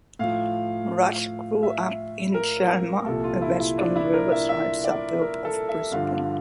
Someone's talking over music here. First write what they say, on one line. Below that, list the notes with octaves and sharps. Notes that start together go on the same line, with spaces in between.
Rush grew up in Chelmer, a western riverside suburb of Brisbane.
A2 F3 F5
E5
A#4
C2 A#2 F3 A4
F4
E4
E4
D4
E4
A#4
E5
E5
D5
A#4
A4
E5
G2 D3 F3 F5